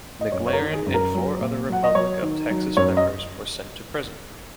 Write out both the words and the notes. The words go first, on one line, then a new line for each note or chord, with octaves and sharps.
McLaren and four other Republic of Texas members were sent to prison.
D#5
F#2 C#5
C#5
A#4
D#3
G#4
F#2
A#4
F#3
A#2
F#3 F#5
D#5
F#3 C#5
D#3
F#3
F#2 C#5
D#5